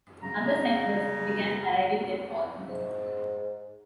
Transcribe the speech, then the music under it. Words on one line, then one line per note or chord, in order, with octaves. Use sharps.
Other settlers began arriving that fall.
C#3 A#5
G#2